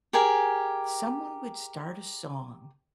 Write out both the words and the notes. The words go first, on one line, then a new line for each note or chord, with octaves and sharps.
someone would start a song.
G4 G#4 A#4 G#5